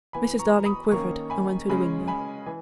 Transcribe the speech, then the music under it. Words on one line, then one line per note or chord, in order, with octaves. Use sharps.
Mrs. Darling quivered and went to the window.
E3 B3 G#5 B5
A#5 C#6
B5 D#6
D#3 A#3 C#4 A#5 C#6
G#5 B5
C#3 G#3 C#4 G#5 B5
G#5 B5
E3 G#5